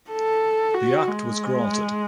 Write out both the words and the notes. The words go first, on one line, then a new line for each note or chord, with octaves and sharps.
The Act was granted.
A4
F#4
G#3